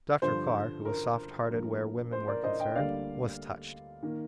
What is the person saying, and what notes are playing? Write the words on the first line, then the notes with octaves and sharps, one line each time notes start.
Dr. Carr, who was soft-hearted where women were concerned, was touched.
G2 D3 F3 C5
A#4
G2 F3 A#3
C5
A#4 D5
C5 D#5
D#5 G5
D2 D3 G3 A#3 D5 F5
D#3 A#3